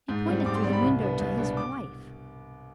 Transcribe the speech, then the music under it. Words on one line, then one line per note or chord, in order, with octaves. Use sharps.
He pointed through the window to his wife.
G#2
G3 C4
G#2 D6
C6
G3 C4 D5
B5
C2
B2 B3 D4
C2
B2 B3 D4
D6